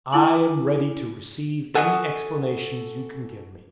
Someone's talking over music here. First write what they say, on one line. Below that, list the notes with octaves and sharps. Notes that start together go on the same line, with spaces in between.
"I am ready to receive any explanations you can give me."
E4 F4 G#5 D6 F#7
F#4 A4 G#5 D#6